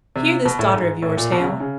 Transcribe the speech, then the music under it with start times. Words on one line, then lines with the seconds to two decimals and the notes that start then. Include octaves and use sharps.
'Hear this daughter of yours, Hale.
0.16 C3
0.45 B2
0.59 A2
0.74 G#2
1.02 A2
1.17 A#2
1.32 B2
1.40 C#3
1.47 C3
1.60 C#3